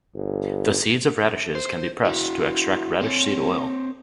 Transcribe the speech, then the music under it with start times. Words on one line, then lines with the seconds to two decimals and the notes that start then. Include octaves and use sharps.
The seeds of radishes can be pressed to extract radish seed oil.
0.15 G1
1.55 C5
2.05 E4 F#4
3.01 C4 C#5